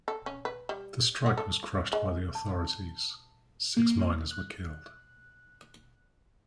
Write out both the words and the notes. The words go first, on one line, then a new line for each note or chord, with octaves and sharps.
The strike was crushed by the authorities; six miners were killed.
A4
C#4
B4
G3
F#4
A4
G#3
A5
A#3
F#6